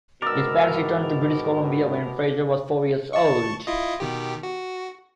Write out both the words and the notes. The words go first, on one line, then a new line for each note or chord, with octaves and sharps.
His parents returned to British Columbia when Fraser was four years old.
G#2 B2 D#3 A#4 D5 E6
A5 C#6
E4 F4 D#5
B2 D#3 G4
F#4